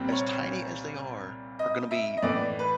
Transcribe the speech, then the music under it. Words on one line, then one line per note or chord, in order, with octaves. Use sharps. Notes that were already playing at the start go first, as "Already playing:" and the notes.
as tiny as they are, are gonna be
Already playing: C2 A#2 G3 C4
C#5
D#5
E5
D#5
A2 E3 A3 D5
B4